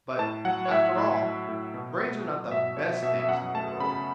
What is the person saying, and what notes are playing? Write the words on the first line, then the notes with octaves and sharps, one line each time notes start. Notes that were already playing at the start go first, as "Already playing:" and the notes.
"But, after all, brains are not the best things in the world."
A2 A5
F#3 F#5
C#5
A2 E5
A2
F#3
A2
B2
B2
F#3
B2 E5
B2 C#5
B2 E5
E5
F#2 F#5
A3 A5
C#3 B5